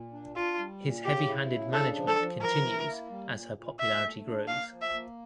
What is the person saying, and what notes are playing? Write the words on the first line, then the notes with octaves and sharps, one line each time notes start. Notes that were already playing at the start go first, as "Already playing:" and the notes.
His heavy-handed management continues as her popularity grows.
Already playing: A#2
D4
D4 F4
G3
A#2
C#3 G4
E4
C#3
D4 A4
F3
A4
F3
E3 A#4
E4
A#3
G3
A#2
A#2
A#2 E5
A3
D4
A#3 F5
F3
E5
A#3